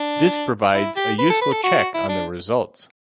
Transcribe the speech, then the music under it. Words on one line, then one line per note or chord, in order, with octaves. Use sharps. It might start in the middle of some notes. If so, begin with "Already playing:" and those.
This provides a useful check on the results.
Already playing: D4
E4
G4
B4
A4
B4
A4
F#4
F#4
E4
D4